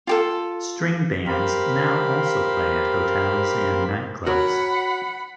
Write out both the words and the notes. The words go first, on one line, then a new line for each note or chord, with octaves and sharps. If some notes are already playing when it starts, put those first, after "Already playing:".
String bands now also play at hotels and nightclubs.
F4 G4 A4
G4 A#4 C5 F5 B5
F#4 A#4 C#5 F#5 B5